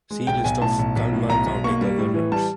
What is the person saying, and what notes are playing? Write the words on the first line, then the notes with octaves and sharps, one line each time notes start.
See List of Kalmar County Governors.
G#3
B1 G5
B1 G#5
A2 A5
B1
B1
A2
B1 A#5
B1
A#3 C#6
G3
A2
E3
G3 A5